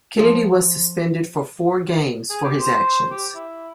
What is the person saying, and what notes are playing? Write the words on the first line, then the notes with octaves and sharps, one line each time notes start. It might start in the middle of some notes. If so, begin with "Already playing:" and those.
Kennedy was suspended for four games for his actions.
F3
G#4
G4
C5
G4
E4